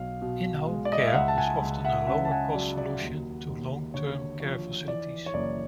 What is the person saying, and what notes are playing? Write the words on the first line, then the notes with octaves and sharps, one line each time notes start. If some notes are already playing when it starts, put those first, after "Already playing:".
In-Home Care is often a lower cost solution to long-term care facilities.
Already playing: B1 F5
B2
G#3
D5
D#5
E5
F5
C#2 E5 F#5
A5
F#5 G#5
C#2
E5 F#5
C#3 E5 F#5
A5
F#5 G#5
F#3 D5
D5
D#2
D#2
D3 C#5
F3 C#5
E3 D5
C#5
F#1 D5